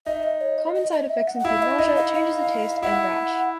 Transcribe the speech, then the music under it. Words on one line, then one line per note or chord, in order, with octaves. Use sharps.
Common side effects include nausea, changes in taste, and rash.
D#4 E5
D#5
C#5
D#5
D#5
D#5
E5
F#5
F#5
E4 F5
D#5
E5
D#4 D#5
F5
F5
E4 F#5